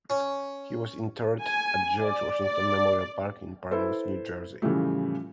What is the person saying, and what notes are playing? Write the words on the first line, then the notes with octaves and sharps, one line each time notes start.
He was interred at George Washington Memorial Park in Paramus, New Jersey.
C#4
G#5
D5
D5
E4 A4 B4 C5
A2 C#3 E3 F3 G3 A3